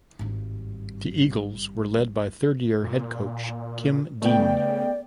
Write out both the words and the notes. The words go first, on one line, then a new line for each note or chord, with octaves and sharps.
The Eagles were led by third year head coach Kim Dean.
G#1 G2
A#2
C#3 A3 B3 D5 G5